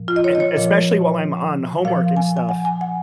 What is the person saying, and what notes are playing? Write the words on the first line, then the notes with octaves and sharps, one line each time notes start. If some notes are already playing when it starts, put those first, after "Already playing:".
And especially while I'm on homework and stuff
Already playing: A#2 F3
F4
D#5
C#5
D#5
C#5
A#2 F3
A#2 F3 F5
G#5
G#5
F#5
G#5
F#5